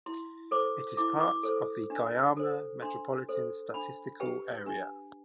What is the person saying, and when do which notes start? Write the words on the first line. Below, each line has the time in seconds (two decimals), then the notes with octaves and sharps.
It is part of the Guayama Metropolitan Statistical Area.
0.06 E4 C6
0.51 A4 C5 D6
0.97 E4 D6
1.21 D6
1.43 A4 C5
1.90 D4
2.37 A4 C5
2.82 D4 C6
3.29 A4 C5
3.74 D4 B5
4.20 G4 B4 G5
4.66 D4